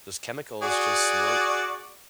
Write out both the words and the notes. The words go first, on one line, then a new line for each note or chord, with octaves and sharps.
those chemicals just weren't
F#4 G#4 D5